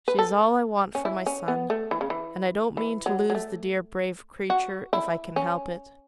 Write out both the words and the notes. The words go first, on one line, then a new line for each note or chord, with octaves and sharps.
She is all I want for my son; and I don't mean to lose the dear, brave creature if I can help it.
B4
A4
C#4
E4
C#4
B3
A3
E3
C#3
E3
E3
F#3
F#3
A3
F#4
E4
C#4